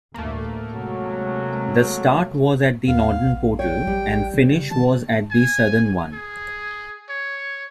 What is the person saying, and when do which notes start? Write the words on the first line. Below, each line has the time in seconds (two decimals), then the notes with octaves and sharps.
The 'start' was at the northern portal and 'finish' was at the southern one.
0.14 A1 D2 G2 A3 A#3
0.73 C3 F#3 G#3
2.88 D#2 B3 F5
3.26 A#1
3.59 C#5 G5
3.87 A1 G3
4.34 C#3
4.71 D#3 A5
5.31 G#5
6.13 G#4
7.09 C#5